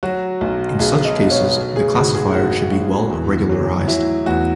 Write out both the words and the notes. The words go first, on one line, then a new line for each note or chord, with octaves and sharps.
In such cases, the classifier should be well-regularized.
F#3 F#4
B1
B1 G#4
D#5
B2
C#5
F#3
G#4
G#1 F#4
G#4
G#1 F#4
G#2 F#4
E2
F#3
F#3 E4
E2 F#4